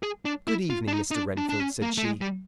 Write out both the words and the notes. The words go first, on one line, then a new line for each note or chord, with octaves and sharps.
"Good-evening, Mr. Renfield," said she.
G#4
D4
E4
F4
D4
D#4
D#4
D4
D4
D4
C#4
A#3
A3
G#3
G3